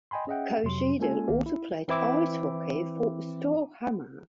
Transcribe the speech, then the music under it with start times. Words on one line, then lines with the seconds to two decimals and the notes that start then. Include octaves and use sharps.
Kojedal also played ice hockey for Storhamar.
0.11 D#5 G5 G#5 B5 C6
0.27 C#4 G#4 D#5 E5 F#5 G5
0.64 F2 C3 F#3 C6
0.99 G#3 A#3 C#4 F4 A4 G#5
1.28 B1 D#3 A#3
1.46 E4
1.88 E3 C4 E4 D6